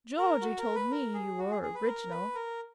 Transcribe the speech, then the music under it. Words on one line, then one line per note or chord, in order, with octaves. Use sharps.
'Georgey told me you were original.
A#4
F#4
A#4
B4
A#4
G#4
F#4
G#4
G#4
B4
A#4
B4
A#4